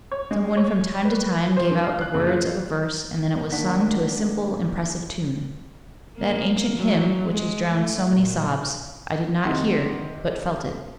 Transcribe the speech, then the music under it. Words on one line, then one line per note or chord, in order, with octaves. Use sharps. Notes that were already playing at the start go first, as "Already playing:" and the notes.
Some one from time to time gave out the words of a verse and then it was sung to a simple impressive tune. That ancient hymn, which has drowned so many sobs, I did not hear, but felt it.
C#5
G#3
C#5
B4
C5
E3
F5
F#6
F#1
F4
D#3 A#3 D4 D5 F#5 B6
A#3
F#3
G#3
A3
A#2
C3 D#3 E4 F#5 C6